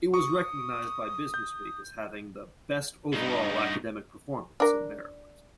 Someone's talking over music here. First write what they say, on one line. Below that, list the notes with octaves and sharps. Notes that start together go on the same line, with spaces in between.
It was recognized by BusinessWeek as having the "Best Overall Academic Performance" in Maryland.
C#6 D#6
G6
G2 D#4
D4 A#4